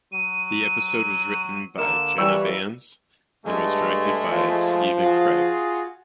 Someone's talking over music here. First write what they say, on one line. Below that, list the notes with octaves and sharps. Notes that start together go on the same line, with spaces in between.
The episode was written by Jenna Bans and was directed by Stephen Cragg.
F#3 D#7
D3 A#3 E7
E3 G3 C#5 E6
G2 G#3 A3
F3
F4 F#4 G#4